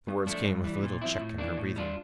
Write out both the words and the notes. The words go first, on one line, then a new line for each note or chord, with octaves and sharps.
The words came with a little check in her breathing.
G2
F3 A3 D4
G2
E3 G3
A#2
F3 C4 E4
A2
E3 A#3 D4
A2
G3 D4 F4